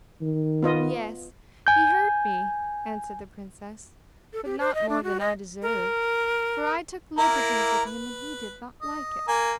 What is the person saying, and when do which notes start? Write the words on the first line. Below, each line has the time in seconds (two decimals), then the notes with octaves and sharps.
"Yes, he hurt me," answered the princess, "but not more than I deserved, for I took liberties with him, and he did not like it."
0.21 D#3
0.63 B3 F4 D#5
1.67 G#5 G6
4.33 A4
4.45 G4
4.59 C5
4.74 D#5
4.89 D4
5.04 F#4
5.20 D#5
5.62 A#4
7.18 A#3 E4 A#4
7.86 B4
8.82 D#5
9.28 A#3 G#5